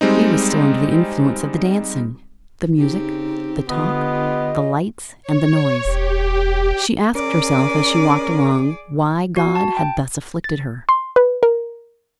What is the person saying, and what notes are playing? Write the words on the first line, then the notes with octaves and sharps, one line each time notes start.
She was still under the influence of the dancing, the music, the talk, the lights, and the noise; she asked herself as she walked along why God had thus afflicted her.
G3 G#3 C4 D#4
C#3 C4 D#4 G4
D3 B3 F4 G4 D#5
C#5
E1 G4
C#4 G#4 A#4 D5
F#4
A5
G5
A6
C6
B4
A#4